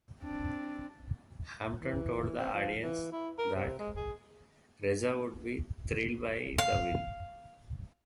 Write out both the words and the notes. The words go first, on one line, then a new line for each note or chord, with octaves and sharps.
Hampton told the audience that Reza would be thrilled by the win.
C4 D4
E3
C4
F3
E3
E4
A#4
C3
G#3
G#4
F5